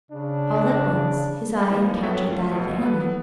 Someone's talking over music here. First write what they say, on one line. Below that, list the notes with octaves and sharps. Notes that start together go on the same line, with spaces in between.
All at once his eye encountered that of Anna.
C#3 D4
E3 F3 A#3 C#4 D#4 D#5
F#2 B3 A4 C#5 E5 G5
A3 F4
B1 B2
A4 B4
B3